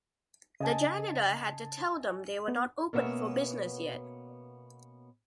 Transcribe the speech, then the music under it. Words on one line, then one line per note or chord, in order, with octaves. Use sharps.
The janitor had to tell them they were not open for business yet.
C#3 D#5 G#5 A5
B3
B2 A#3 B3 C#4 A4 E5